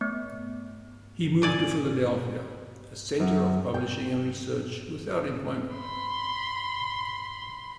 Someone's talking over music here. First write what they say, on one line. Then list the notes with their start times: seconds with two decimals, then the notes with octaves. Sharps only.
He moved to Philadelphia, a center of publishing and research, without employment.
0.01 A3 B3
1.42 A#2 D5 G#5
3.20 F#2
3.74 G5
5.74 B5 C6